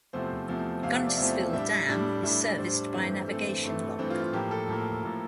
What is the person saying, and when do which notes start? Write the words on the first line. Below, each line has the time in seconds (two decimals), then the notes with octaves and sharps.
Guntersville Dam is serviced by a navigation lock.
0.13 E2 C3 F3 A3 C4 C5
0.48 E2 C3 F3 A3 C4
0.83 E2 C3 F3 A3 C4 F5
0.95 E5
1.06 D5
1.17 E2 C3 F3 A3 C4 E5
1.53 A2 G3 D4 E5
1.88 A2 G3 D4
2.23 A2 G3 D4 E5
2.41 D5
2.58 A2 G3 D4 C5
2.93 G2 E3 A3 C4
3.28 G2 E3 A3 C4 A4
3.63 G2 E3 A3 C4
3.98 G2 E3 A3 C4
4.10 F4
4.22 F4
4.33 A2 F3 A#3 G4
4.51 A4
4.69 A2 F3 A#3
5.04 A2 F3 A#3